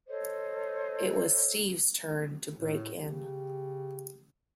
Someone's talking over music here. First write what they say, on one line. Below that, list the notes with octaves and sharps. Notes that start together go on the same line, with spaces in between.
It was Steve's turn to break in.
A4 C5 C#5 D#5
A2
C#3 G4